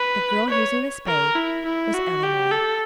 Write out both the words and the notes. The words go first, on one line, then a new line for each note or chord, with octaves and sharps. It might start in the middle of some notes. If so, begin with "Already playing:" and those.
The girl using the spade was Eleanor.
Already playing: B4
C#5
A#4
E4
E4
F#4
G4
A4